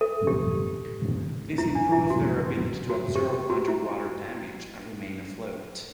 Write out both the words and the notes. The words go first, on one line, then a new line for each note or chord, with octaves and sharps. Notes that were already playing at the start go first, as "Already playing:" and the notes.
This improved their ability to absorb underwater damage and remain afloat.
A4
G4
E4
D4
E4
F#4
F#4
G4
G4
F#4
E4